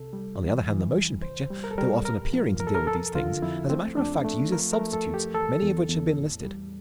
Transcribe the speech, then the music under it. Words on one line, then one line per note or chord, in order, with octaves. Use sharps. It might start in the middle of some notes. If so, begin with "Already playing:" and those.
On the other hand, the motion picture, though often appearing to deal with these things, as a matter of fact uses substitutes, many of which have been listed.
Already playing: C2 C3 A4
G3
E3
E3
E2
C2 C5
G3
A#4
A4
G3 A#4
A#2 A#4
F3
C2 A#4
A4
A#4
F2 A4
D3 F4
F2 E4
A3 C4
F2 D4
A3
F3 A#4
A#4
A3
A4
F2
G4
E2 A4
E2
E2
A2
G3